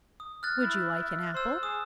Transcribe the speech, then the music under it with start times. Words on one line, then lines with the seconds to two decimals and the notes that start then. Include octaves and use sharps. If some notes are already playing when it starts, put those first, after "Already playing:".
"Would you like an apple?"
0.20 D#6
0.43 F6 F#6 A6
0.63 E4
1.03 E5
1.34 C5 C6 E6
1.63 G#4 D#6 E7